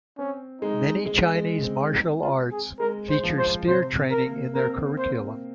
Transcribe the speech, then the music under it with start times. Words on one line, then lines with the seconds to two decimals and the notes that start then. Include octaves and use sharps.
Many Chinese martial arts feature spear training in their curriculum.
0.18 C4 C#4
0.62 G#3 D#4
1.06 G#3
1.34 G#3
1.63 C4
1.93 D#4
2.21 F4
2.51 G#4
2.79 G#3 A#4
3.10 C5
3.23 F3
3.38 C5
3.67 C3 C5
3.96 C3
4.11 A#4
4.26 A#3
4.55 C4 A#4
4.98 C5